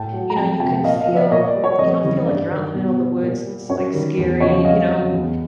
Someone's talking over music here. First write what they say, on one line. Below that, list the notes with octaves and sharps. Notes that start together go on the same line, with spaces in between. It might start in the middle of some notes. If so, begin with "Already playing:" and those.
you know, you can feel you don't feel like you're out in the middle of the woods, s like scary, you know,
Already playing: A2 G5 A5
F#3
A#5
F2 G5 A5
C3 F3 G5 A5
A#2 D#5 F5
D#5 F5
F3
D5 E5
A#2 C#5 D#5
D5
G3
C#5
F2 C#5 D#5
C#3 E3 G3
G2 D5
D#3 G3
B2
G3
A#2
G3
F#2 C#5
D#3 G3
E2
C#3 F3 C#5 D#5
F2 D#5 F5
C#3 F#3
E2